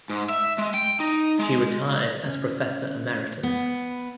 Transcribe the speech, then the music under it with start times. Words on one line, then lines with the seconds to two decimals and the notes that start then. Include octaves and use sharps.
She retired as professor emeritus.
0.10 G#2
0.29 E5
0.58 G#3
0.74 G5
1.00 D#4
1.39 G#3
2.26 C#4
3.43 B3